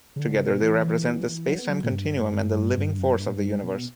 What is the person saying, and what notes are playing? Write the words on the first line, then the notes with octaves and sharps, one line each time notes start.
Together they represent the space-time continuum and the living force of the universe.
C#3
D3
C#3
B2
E3
F#3
B3
F#3
A#2
G2
G2
F#2
G2
A#2
G2
B2